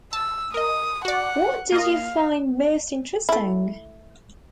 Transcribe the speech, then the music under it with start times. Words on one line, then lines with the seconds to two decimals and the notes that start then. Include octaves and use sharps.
What did you find most interesting?
0.13 A5 E6
0.54 A#4 D#5 D#6
1.05 F#4 D5 F#5
1.72 A#3 F4 D#5 F5
3.29 A3 E4